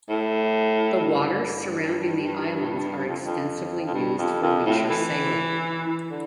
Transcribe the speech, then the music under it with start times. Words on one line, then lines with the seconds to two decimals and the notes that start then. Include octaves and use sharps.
The waters surrounding the islands are extensively used for leisure sailing.
0.09 A2
1.05 G2
2.98 G2
3.07 F2
3.25 F2
3.86 F2
3.94 G2
4.18 F2
4.43 F2
4.66 A2
4.90 E3
5.87 E3
6.10 D3